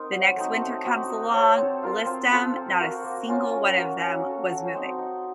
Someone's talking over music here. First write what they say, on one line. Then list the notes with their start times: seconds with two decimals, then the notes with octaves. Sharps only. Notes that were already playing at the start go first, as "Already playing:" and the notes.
the next winter comes along, list 'em, not a single one of them was moving
Already playing: C4 D#4 A#4
0.12 F#3
0.36 A3 C4 D#4
0.61 A3
0.85 C4 D#4 F#4
1.09 D#4
1.34 A4 C#5
1.58 C4
1.83 F4 A#4 F5
2.06 C4
2.32 F4 A4 C5
2.56 C4
2.81 F#4 A#4
3.04 A#3
3.28 C#4 F4
3.53 C#4
3.77 F#4 A#4
4.02 C#4
4.26 F#4 A4
4.51 F#3
4.75 C4 D#4
4.99 D#4